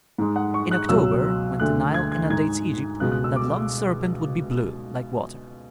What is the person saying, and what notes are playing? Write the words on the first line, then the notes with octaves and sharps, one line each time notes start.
In October, when the Nile inundates Egypt, that long serpent would be blue, like water.
G#2 G#3
F#5
C#6
F#6
C#2 B2 F#3 E6
D2 D3 A3 F#6
G#6
G#6
G#2 G#3 G#6
C#2 B2 G#3 F#6
F#6
E6
D6